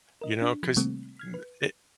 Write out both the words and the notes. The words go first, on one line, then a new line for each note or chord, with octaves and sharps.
you know, 'cause n it
A#4 D#5
D4
F3
C3 D#3 G3 A3 A#3 C4
F6 G#6
B4